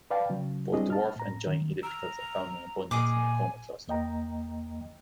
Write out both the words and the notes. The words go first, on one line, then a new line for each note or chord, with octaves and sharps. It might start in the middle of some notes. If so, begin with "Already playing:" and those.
Both dwarf and giant ellipticals are found in abundance in the Coma Cluster.
B4 D5 F5 G5 A5
C#3 F#3
G3 C4 D4 E4 G#4 D#5
A5 F6
A2 A#5
D#3
A#5 E6 F6
A#2 G#4 D#5 G#5 D6
E2 A#3 D#5 G5 A#5